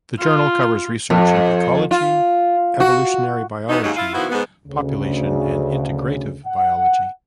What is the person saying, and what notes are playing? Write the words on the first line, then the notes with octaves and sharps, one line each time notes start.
The journal covers research in ecology, evolutionary biology, population, and integrative biology.
F4
F2
F4
F#4
C3 E3 B3 C#4 D#4
D#2 G#2 C#3 F#3 G#3 D#4
E4 F4
B2 D#3 F3 B3 E4 F#4
G#2 B3
D2 C#3
F#5